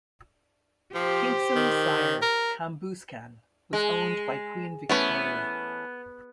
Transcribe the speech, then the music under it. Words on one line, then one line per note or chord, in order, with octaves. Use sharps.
Kincsem's sire, Cambuscan, was owned by Queen Victoria.
F3 G4 C5
D#3
A#4
G#3
E3 A3 B3 C#4